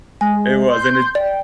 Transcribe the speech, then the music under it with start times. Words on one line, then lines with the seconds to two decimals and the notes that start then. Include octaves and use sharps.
It was, and it's
0.21 G#3 G#5
0.69 C6 G6
1.15 D5 G5